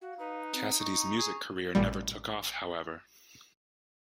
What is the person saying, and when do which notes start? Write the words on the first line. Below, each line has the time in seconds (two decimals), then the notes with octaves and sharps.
Cassidy's music career never took off, however.
0.02 F#4 F5
0.19 D#4 B4
0.54 C4
0.80 D#4 C#6
1.00 A#5
1.17 G#4
1.75 A1 A#2 G3